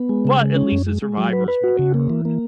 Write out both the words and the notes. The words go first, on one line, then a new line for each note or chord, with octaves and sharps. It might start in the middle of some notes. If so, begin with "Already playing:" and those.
but at least the survivors will be heard.
Already playing: B3
G#3
C#3
G#3
C#4
F#2
G#3
G#3
F#3
B4
B4
F#4
C#3
A#3
E3
A#3